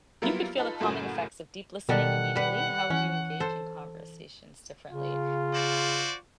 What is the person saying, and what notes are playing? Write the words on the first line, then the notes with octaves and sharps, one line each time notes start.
You could feel the calming effects of deep listening immediately. How would you engage in conversations differently,
F#3 G3 A#3 B3 E4 F4
D#4 F4 A4 B4
F#2 A2 C#3 A#3 C#4 F#4
B2 D#3 G3 A4 F#5
G3 B4
E3 C#4
A4 C5
C#3 F4
F#4 C5 D5